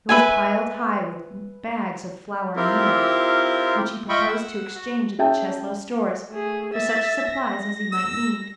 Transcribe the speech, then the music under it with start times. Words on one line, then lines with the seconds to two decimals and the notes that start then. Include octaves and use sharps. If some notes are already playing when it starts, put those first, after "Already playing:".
It was piled high with bags of flour and meal, which he proposed to exchange at the Cheslow stores for such supplies as he might need.
0.09 B4 E5 G#5
2.56 C4 E4 F4 G4 A#4
4.09 F4 D#5 E5 G5 B5 C#6
4.28 F#5 E6
4.74 F#4
5.19 C#4 G#4 E5 G5 A5
6.30 A3 G#4
6.73 E5 A6
7.30 A#6
7.92 E6